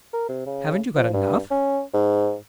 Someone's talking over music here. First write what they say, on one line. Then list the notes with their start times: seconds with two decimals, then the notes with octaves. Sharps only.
"Haven't you got enough?"
0.13 A#4
0.29 C3
0.46 C#3
0.96 F3
1.13 G2
1.51 C#4
1.94 G#2